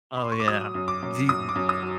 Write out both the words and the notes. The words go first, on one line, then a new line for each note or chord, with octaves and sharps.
Oh, yeah, di
B5
C6
C#6
D6
F#3 D#6
F#2
D6
F#2
F#2 D#6
D6
F#2
D#6
F#3